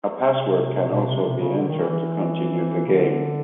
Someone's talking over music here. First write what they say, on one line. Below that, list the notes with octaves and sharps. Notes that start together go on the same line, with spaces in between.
A password can also be entered to continue the game.
C3
B2
C3
C3
C#3
D3
D#3
E3
E3
C#3
D3